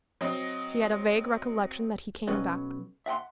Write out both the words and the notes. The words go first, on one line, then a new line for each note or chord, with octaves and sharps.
She had a vague recollection that he came back.
F#3 C4 D#5
B1 F#3 C#4 B4 D#5
E5 F#5 G5 C6